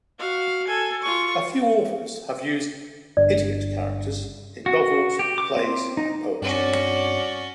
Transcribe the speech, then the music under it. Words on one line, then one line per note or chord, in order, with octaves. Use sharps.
A few authors have used "idiot" characters in novels, plays and poetry.
F#4 F5
A4 G#5
F4 C#6
G1 G2 D5
F#4
G4
D6
C4
D#4
G2 C4 C#4 F#4 C#5 D5 C#7